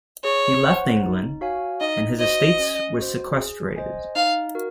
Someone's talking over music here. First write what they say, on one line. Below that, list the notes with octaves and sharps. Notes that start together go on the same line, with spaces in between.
He left England, and his estates were sequestrated.
G#4 C#5
C5 F#5
D#4
F#4 C#5 F5 G#5
D#4 D#5
F#4 C5 D#5
C#4
F#4 C5
G#4
C5 D#5 G#5
D#4 F5
F#4 A#4